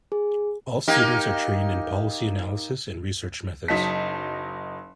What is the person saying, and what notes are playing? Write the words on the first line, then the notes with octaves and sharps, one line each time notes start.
All students are trained in policy analysis and research methods.
G#4
A#3 D#4 G4
F#1 F#3 D#4 A5 B6